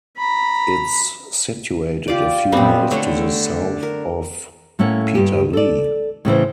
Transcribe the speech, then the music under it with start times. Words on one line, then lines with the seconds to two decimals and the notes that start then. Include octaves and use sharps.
It's situated a few miles to the south of Peterlee.
0.17 A#5 B5
2.08 F4 G4 D5
2.52 F#2 A#2 G3 B3 C4
2.91 D3 A3 C#5
3.83 A#4
4.79 A2 A3 A#3 C#4 F#5
5.15 G2 G4
5.53 A4 D5
6.25 A2 C#3 E3 C5